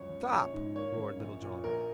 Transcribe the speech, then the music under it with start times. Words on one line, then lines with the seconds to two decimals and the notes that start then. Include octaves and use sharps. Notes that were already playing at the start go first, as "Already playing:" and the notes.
"Stop!" roared Little John.
Already playing: C#2 F#2 C#5
0.09 C#3
0.32 A#1 C#5
0.53 G#2
0.76 A#3 C#5
0.97 C#3
1.20 A#1
1.42 A#2
1.64 A#1 A#4